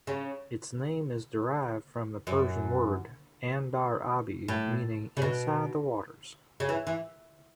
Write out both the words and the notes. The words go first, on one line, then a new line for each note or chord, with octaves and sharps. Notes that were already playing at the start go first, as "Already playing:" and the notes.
Its name is derived from the Persian word "Andar-abi" meaning "Inside the waters".
C#3
F#2
A2
C#3
B2
C#3
E3
E3